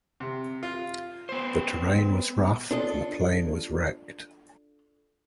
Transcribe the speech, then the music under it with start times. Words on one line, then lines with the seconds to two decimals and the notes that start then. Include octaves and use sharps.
The terrain was rough and the plane was wrecked.
0.20 C3
0.63 F4
1.29 B3 C5
2.71 D4 F4 A4 D#5